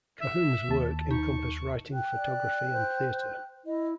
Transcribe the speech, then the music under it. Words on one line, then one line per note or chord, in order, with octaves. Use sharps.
Cahun's work encompassed writing, photography, and theater.
E5
D#2 A5
D#4 C#6
G5 F#6
D5
C5
E4 D#5